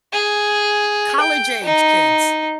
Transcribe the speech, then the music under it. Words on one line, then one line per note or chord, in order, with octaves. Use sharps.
college-age kids.
G#4
G5
D#4